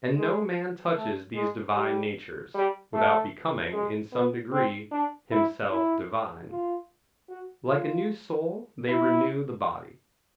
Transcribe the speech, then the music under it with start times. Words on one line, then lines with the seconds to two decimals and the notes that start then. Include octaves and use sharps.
And no man touches these divine natures, without becoming, in some degree, himself divine. Like a new soul, they renew the body.
0.16 G#3
0.96 A3
1.35 G#3
1.75 G3
2.55 G3
2.94 A3
3.73 G#3
4.13 B3
4.52 C4
4.91 D4
5.32 E4
5.71 E4
6.51 F4
7.29 F#4
7.69 F4
8.89 E4